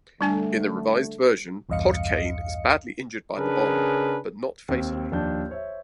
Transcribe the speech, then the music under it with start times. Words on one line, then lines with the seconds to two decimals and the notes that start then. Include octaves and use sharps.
In the revised version, Podkayne is badly injured by the bomb, but not fatally.
0.21 D3 G3 A3 D4 G#5
1.69 B1 E2 G2 D#5 F5 C#7
3.37 C#3 D4 G#4 A#4 B4
4.68 D#2 C4
5.11 D#2 F3 D4 A5 G6
5.49 C5 C#5 E5